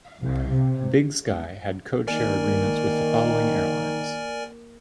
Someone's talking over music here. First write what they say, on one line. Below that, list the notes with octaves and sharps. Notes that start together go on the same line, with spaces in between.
Big Sky had code share agreements with the following airlines.
C2
C3
D#3 A#3 A#4 D5 G#5